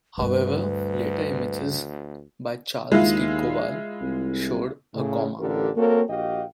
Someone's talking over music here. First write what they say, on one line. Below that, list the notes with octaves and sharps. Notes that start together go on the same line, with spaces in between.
However, later images by Charles T. Kowal showed a coma.
D2 G2 G3 B4
D#2 G#3 E4 F4
C2
A2 C#3
A1 D3 F4 G4 A4 A#4
A#3 C4 F#4 A4 A#4 C#5
A#1 F#4 G4 D#5 F5 G5